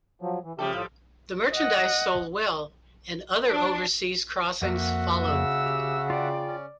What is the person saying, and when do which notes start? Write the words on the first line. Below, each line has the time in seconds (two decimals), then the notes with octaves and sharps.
The merchandise sold well and other overseas crossings followed.
0.22 F3 F#3
0.44 E3
0.59 C#3 F3 G3 A3 G4 A4
0.73 A2 F4
1.53 D#5 F#5
3.48 D4
4.62 F2 A#3 F#4 E5 F#5
5.25 C#3 E6
5.66 G4
6.10 F4 D5 G5
6.46 C#4